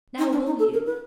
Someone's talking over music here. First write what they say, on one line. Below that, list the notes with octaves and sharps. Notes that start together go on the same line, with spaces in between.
Now, will you?'
D#4
D4
D#4
A4
A#4
B4